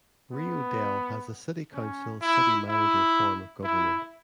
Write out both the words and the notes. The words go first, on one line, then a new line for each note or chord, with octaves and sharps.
Rio Dell has a City Council - City Manager form of government.
B3
C#4
E4
E4
E4